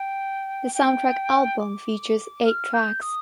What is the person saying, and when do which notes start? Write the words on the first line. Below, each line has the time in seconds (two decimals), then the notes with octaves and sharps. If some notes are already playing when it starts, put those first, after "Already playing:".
The soundtrack album features eight tracks.
Already playing: G5
0.74 G5
1.59 D6
2.44 F6
2.73 G6
3.01 D#6